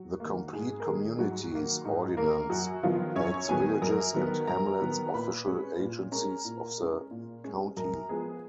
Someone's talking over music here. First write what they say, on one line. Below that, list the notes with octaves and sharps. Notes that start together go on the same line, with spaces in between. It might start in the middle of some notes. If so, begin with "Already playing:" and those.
The "Complete Communities" ordinance makes villages and hamlets official agencies of the county.
Already playing: F#3 F#4
D#3 A#3
G#2 G#3 G#4
A#4
D#3 G#3 A#3 G#4
G#2 F#3 F#4
D#3 A#3
G#2 D#4
D#3 A#3 A#4
F#2 F#3 F#4
D#3 F3 F#3 B3 F4
F#2 C#4 C#5
D#3 F#3 B3 G#4 G#5
F#2 A#4 A#5
D#3 F#3 B3
F#2 A#4 A#5
D#3 F#3 B3
A#2 B4 B5
G#3 C#4
A#2
G#3 C#4 A#4 A#5
A#2
G#3 C#4
A#2
G#3 C#4
F#2 A#4 A#5
F3 G#3 B3 G#4 G#5